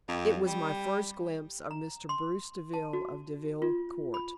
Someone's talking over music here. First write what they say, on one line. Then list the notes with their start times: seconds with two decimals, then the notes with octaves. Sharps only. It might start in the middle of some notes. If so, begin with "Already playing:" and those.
It was my first glimpse of Mr. Bruce Deville of Deville Court.
0.08 F2
0.46 G3
1.71 A#5
2.09 C6
2.74 A5
2.93 F#4
3.62 F4
4.14 B5